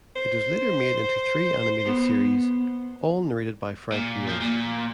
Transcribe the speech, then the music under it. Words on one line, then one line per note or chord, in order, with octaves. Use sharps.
It was later made into three animated series, all narrated by Frank Muir.
C5
B3
A#2
F3
A#2